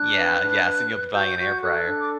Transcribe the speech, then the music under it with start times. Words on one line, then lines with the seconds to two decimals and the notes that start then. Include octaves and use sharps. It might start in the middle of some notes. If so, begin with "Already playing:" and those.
Yeah, yes, and you'll be buying an air fryer.
Already playing: D4 F#6
0.16 B4
0.41 D4
0.65 B4
0.89 B4
1.13 F#4 G6
1.38 F#4
1.62 A4 F#6
1.86 D4
1.99 D6